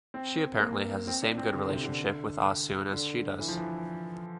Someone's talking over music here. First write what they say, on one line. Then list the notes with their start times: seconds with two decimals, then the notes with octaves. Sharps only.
She apparently has the same good relationship with Ah Soon as she does.
0.14 C4
0.60 A#3
1.07 C4
1.22 D4
1.38 C4
1.53 D3
1.69 C3
1.84 D3
2.93 D3
3.40 E3
3.48 F3
3.57 E3